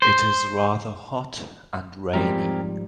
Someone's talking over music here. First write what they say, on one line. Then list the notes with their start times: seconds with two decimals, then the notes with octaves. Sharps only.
It is rather hot and rainy.
0.02 C5
2.13 G#2 F3 G3 C4 G4 A#4